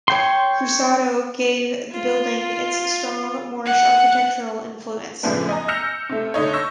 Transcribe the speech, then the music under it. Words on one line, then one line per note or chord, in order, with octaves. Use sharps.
Cruzado gave the building its strong Moorish architectural influence.
C#5 G5 C6
F4
F#5
F#2 A2 C#3 F3 B3 D4
D#5 G#5 A#5
E6 F6 G6 A#6 C#7 F7
C3 A3
D3 A3 D#4 C#5
C#6 E6 G6 A#6